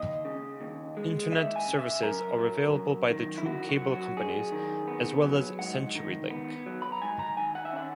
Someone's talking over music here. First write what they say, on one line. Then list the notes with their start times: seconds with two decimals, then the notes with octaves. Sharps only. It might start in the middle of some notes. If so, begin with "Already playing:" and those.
Internet services are available by the two cable companies, as well as Centurylink.
Already playing: D#2 D#5
0.25 C#3
0.61 D#2
0.97 G#3
1.32 D#2 E5
1.56 G#5
1.67 C#3
1.79 E5
2.03 F#2 A#4
2.39 F#3
2.75 F#2
3.10 D#3
3.38 E4
3.45 F#2 F#4
3.69 F#4
3.82 F#3
3.93 F#4
4.17 F#2 G#4
4.52 D#3
4.87 B3
5.24 F#3
5.59 G#2 F#5
5.95 D#3
6.30 B3
6.66 F#3
6.82 B5
6.92 A#5
7.02 G#2 G#5
7.19 A#5
7.37 D#3 G#5
7.55 F#5
7.65 E5
7.73 C#4 F#5